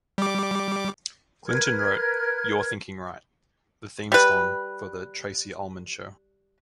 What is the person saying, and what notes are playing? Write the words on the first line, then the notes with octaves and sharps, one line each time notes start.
Clinton wrote "You're Thinking Right", the theme song for "The Tracey Ullman Show".
G3 D6
A#4 B4 F6 G#6
G3 B4